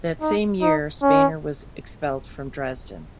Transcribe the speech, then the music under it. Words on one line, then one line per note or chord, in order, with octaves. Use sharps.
That same year Spener was expelled from Dresden.
D#4
D#4
C#4